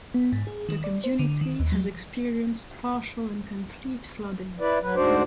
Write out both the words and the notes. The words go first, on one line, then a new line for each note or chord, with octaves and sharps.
The community has experienced partial and complete flooding.
B3
G#2
G#4
D#3
D5
C5
D3
D#3
D#2
F#3
E4 B4 D5
F#3 B4
D2 G#2 D4 F#4 C5 D5